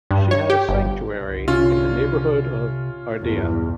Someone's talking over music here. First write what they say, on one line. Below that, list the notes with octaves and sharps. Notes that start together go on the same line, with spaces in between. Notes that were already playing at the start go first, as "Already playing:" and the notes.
She had a sanctuary in the neighborhood of Ardea.
G2
C#5
G4
G1
C2 D3
C3 C#4 F4
B1 E2 G2